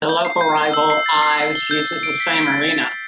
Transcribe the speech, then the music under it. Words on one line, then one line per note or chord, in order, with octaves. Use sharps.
The local rival Ilves uses the same arena.
G6
C7
G6
G7
E6
C7
A6
C7
C7
G7
G6
G6
D7
B6
D7
A6
A6
D7